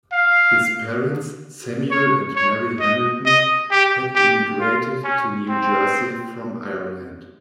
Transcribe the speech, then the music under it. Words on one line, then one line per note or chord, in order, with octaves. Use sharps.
His parents, Samuel and Mary Hamilton, had immigrated to New Jersey from Ireland.
F5
C#5
C#5
D#5
D#5
G4
G4
F4
C#4
C4